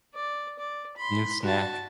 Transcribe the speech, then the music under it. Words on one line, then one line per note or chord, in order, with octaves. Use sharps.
New snack.
D5
D5
B5 C6
F#4 A5